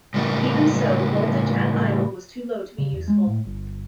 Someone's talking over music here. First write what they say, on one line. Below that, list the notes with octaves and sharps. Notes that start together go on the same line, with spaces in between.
Even so, voltage at idle was too low to be useful.
A2 C#3 G3 A#3 C#4
C#3
E2
G#3
A2
G1